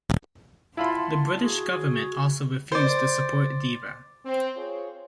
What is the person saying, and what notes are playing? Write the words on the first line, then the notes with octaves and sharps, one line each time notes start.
The British government also refused to support Deva.
E4 F4 F#5 A5 B5 C6
F#4 G#4
C5 D5
C4
F4 G#4 C5 C#5